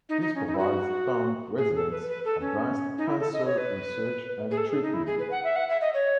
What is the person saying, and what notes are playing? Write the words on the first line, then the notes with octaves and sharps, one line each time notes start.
This provides Thumb residents advanced cancer research and treatment.
D#4
D#4
C#4
D#4
E4
F#4
G#4
A4
B4
B4
A4
C#4
D#4
E4
A4
D#5
C#5
B4
G#4
A4
G#4
D#4
E4
G#4
B4
F#5
E5
F#5
E5
D#5
C#5